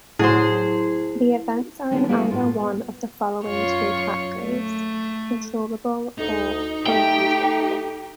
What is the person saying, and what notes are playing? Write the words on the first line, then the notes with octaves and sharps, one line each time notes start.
The events are in either one of the following two categories controllable or uncontrollable.
A2 F#3 E4 F#4 G#4 C5
D3 D#3 G3 B3 C#4 D4
G3 A#3 B3 E4 F#4 G#4
A2 F4
B3
F#2 F4 C#5
A3
D2 D#4
A3 G4 G5